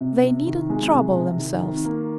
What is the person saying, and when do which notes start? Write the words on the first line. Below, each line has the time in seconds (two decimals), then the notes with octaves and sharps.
They needn't trouble themselves!
0.01 C3
0.24 C3
0.47 D#3
0.70 G#3
0.93 C3
1.16 C3
1.39 D#3
1.62 D#3
1.85 A#3